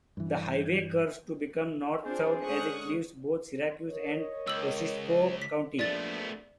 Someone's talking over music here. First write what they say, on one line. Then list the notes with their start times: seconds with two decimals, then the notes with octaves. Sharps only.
The highway curves to become north-south as it leaves both Syracuse and Kosciusko County.
0.17 G2 E3
2.05 C4 D4 F4 G#4 C5
2.45 D3 G#3 C#4 C#6 D#6 F#6
3.89 A#4 C#5 D#5
4.48 C#2 E6 F#7
5.42 B6
5.79 A#1 F3 A3 B3 D5 A6